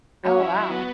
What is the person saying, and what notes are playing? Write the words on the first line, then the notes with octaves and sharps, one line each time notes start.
Oh, wow.
F#3 C#4
E4
F#3
B3